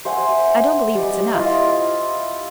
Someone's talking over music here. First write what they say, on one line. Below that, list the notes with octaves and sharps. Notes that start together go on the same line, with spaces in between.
I don't believe it's enough.
C5 E5 F#5 G#5
G3 D#5
E4 F4 D#5